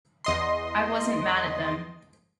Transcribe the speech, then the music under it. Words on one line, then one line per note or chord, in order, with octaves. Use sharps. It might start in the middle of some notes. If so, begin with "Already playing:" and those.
I wasn't mad at them.
E2 D#5 C6